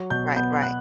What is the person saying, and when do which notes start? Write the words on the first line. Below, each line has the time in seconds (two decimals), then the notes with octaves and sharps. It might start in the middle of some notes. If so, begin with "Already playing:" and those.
Right, right.
Already playing: F#3
0.10 B2 G6
0.37 B3 G6
0.62 B3 F#6